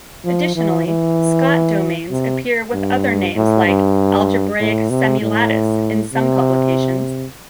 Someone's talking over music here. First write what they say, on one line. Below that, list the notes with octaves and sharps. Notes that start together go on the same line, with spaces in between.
Additionally, Scott domains appear with other names like "algebraic semilattice" in some publications.
F3
E3
E3
C3
G2
A2
G2
A2
C3
A2
C3